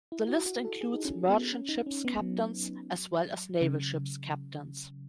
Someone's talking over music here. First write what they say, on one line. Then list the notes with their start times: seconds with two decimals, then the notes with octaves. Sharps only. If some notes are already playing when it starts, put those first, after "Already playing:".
The list includes merchant ship's captains as well as naval ship's captains.
0.12 E4
0.28 F#4
0.46 F#4
0.65 A4
0.81 G#4
0.94 D#4
1.05 C#4
1.29 B3
1.52 C#4
1.69 D#4
1.86 C#4
2.05 B3
2.21 F#3
3.61 C#3